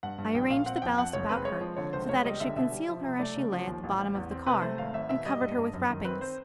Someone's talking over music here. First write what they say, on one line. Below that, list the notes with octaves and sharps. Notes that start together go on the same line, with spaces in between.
I arranged the ballast about her so that it should conceal her as she lay at the bottom of the car, and covered her with wrappings.
G2 F#5
G2
A#1 G5
A#2 F5
C4 F#5
F#5
F2 G5
F2 F#5
F#1 C#5
C4 B4
G#3 C#5
F3
D3 C#5
C#2 C5
C#2 C#5
G3 D#5
D3 E5
B2 E5
G3
F3
C3
A3 D5
C#3
F3
D#2
A1
A1
E2
C4
C3 B4
A3 C5
G#1 F5
G#1 E5
B2 E5
G3 D#5
G2
G2
F#2
D#3
C4 B4
C4 C5